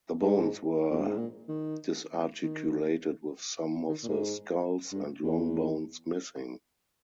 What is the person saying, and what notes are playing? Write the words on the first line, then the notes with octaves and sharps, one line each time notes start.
The bones were disarticulated with some of the skulls and long bones missing.
G#2
E2
G2
G#2
A#2
D#3
D#3
D#3
A#2
G#2
G2
E2